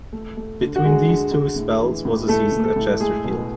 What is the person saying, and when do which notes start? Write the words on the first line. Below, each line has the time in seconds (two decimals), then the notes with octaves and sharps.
Between these two spells was a season at Chesterfield.
0.13 A3
0.37 A3
0.61 D3
0.76 F#4
0.85 D3 G#3 G#4
1.09 D3
1.32 D3
1.56 A2
1.80 E3
2.05 A2
2.28 A2 A3 A4
2.52 A2
2.65 A3 A4
2.76 A2
3.00 G#3 A3 G#4
3.24 B2